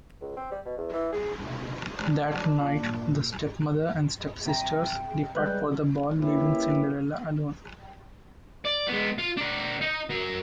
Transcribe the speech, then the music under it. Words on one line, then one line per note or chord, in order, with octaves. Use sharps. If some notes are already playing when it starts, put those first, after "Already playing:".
That night, the stepmother and stepsisters depart for the ball leaving Cinderella alone.
C#2
C4
G3
B2
E2
E3
G#4
D4
A#2
C3 G5 A#5
G3 G#3 B4 F#6 G6
A#3 C#4 E4 G4 B4
D5
G#3 B3
F4
D4 A#4
D#4 D#5
F#3 A#4